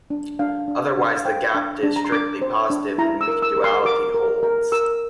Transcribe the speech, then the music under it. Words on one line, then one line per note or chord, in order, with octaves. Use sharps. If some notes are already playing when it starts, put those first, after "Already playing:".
Otherwise the gap is strictly positive and weak duality holds.
D4
D4 F5
D4
D4
F5
C5 G5
D4
D4
A#5
C6
D4 D6
C5
D4
E4 A#5
E6
A#4
E6
A#4
C6
A#4 D6
A#4
A#4
A#4 E6